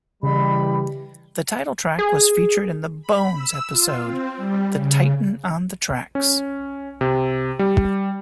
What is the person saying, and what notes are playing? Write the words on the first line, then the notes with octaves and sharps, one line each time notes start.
The title track was featured in the "Bones" episode The Titan on the Tracks.
C#3 E3 G3 D#5 B5
G#4
B5
E6
F4
C4
G3
C#3
C#4
C3
G3